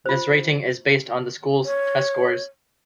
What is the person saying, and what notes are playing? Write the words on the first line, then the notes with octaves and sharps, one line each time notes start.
This rating is based on the schools' test scores.
F4 C5
C#5